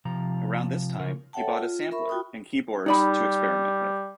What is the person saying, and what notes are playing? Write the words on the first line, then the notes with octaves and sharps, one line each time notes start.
Around this time he bought a sampler and keyboards to experiment with.
C3 F3 A#5
C#3 F3 A#4
A4 C#5 E5 F#5 G5 A5
F4
A#4 E5 B5 C#6
F4 F#4 G5 B5 D#6
G3 D#4 D5 B5